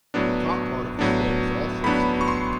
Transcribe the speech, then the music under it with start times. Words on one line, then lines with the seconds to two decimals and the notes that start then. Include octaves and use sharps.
The top part of the stem is also skinned.
0.14 A2 F#3 B3 D4
0.99 A2 F#3 B3 D4
1.84 A2 F#3 B3 D4 B5
2.21 C#6
2.28 C6